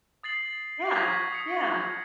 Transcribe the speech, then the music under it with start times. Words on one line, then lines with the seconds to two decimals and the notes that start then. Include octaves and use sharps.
Yeah. Yeah.
0.23 D#6 A6 C7 F#7
0.95 C#6 D#6 G#6 A#6 B6
1.32 D#6 B6 C#7